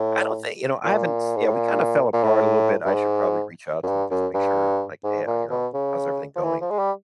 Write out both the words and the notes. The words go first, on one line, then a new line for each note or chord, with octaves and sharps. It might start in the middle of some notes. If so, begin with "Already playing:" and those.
I don't thi you know, I haven't Yeah, we kinda fell apart a little bit, I should probably reach out to him just to make sure, like, "Hey, uh, you know, how's everything going?"
Already playing: A2
A#2
G#2
A2
A#2
A#2
A2
G2
G#2
F#2
G2
F#2
G2
G#2
A#2
B2
C#3
F3
E3
F3
G#3
G3